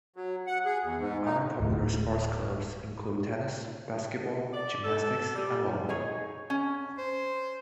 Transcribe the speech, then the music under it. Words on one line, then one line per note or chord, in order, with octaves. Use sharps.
Other popular sports clubs include tennis, basketball, gymnastics, and volleyball.
F#3
F#5
G#4
E2
G#2
D#4
D1 A2
D5
A4
G3
D#4 G#4 C#5
C#4
C5